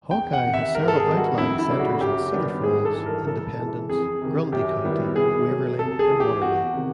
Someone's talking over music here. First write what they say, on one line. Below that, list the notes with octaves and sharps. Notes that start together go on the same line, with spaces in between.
Hawkeye has several outlying centers in Cedar Falls, Independence, Grundy County, Waverly, and Waterloo.
E2 G5
F#5
C3 D#3
E5
G#2 A#4
A4
G#4
D#3 G3 B3 D#4
F#4
F2 E4
E4
C#3 F#3 A3 D4
F#4
F#2 G4
D#3 G3 B3 D4
G#2 G#4
A4
E3 G3
A#4
C#3 A4
E3 G#3
F2 G#4
C3 D#3
F#2 G4
D#3 G3 B3 E4
B2 G#4
F#3 A3
C3 A4
G#4
E3 A3
G4
E2 F#4
C3 D#3